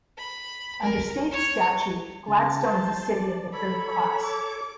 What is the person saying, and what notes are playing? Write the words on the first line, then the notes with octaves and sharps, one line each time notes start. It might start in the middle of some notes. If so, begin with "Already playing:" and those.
Under state statute, Gladstone is a city of the third class.
B5
A#4
C#5
C#3 A5
C5
D5
A4 C#5 B5
D6